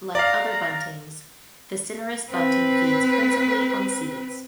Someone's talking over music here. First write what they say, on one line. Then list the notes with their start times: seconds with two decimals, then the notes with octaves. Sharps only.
Like other buntings, the cinereous bunting feeds principally on seeds.
0.15 D5 F5 A#5
2.30 C4 B4